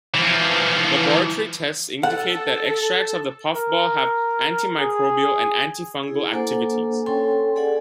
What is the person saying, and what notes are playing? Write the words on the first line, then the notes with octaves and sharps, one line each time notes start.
Laboratory tests indicate that extracts of the puffball have antimicrobial and antifungal activities.
E3 F3
A4 F#5
A#4
G#4
E4 G#4
A#3 D4 A4 C5 F#5 G#5
C#4 A4 C#5 G5 G#5 C6
G#4 A4 D5 F#5 G#5